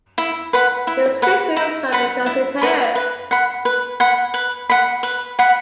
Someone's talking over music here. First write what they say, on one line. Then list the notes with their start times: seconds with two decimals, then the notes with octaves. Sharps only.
It's too good a story because it hurts.
0.18 E4
0.53 B4 F#5 B5
0.87 E4
1.22 B4 F#5 B5
1.56 E4
1.92 B4 F#5 B5
2.26 E4
2.61 B4 F#5 B5
2.95 B4
3.31 F#5 B5
3.65 B4
4.00 F#5 B5
4.34 B4
4.70 F#5 B5
5.03 B4
5.39 F#5 B5